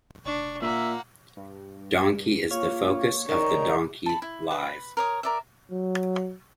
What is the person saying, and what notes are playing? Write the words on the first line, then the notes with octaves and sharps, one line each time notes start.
Donkey is the focus of the Donkey Live!
F1 D4 C#6
A#2 A#3 E5 F#5
G2
A#3 F4 C#5 F5
D#3 A#4 D5 A#5 C#6
A5 B5
E4
B4
A#4 C#5 D#6
A#4 D5 E5
F#3